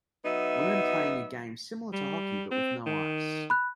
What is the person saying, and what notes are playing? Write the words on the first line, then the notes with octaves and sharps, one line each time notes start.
Women playing a game similar to hockey, but with no ice.
F#3 B3 D#4 E5
G3
C4
D#3
B5 F#6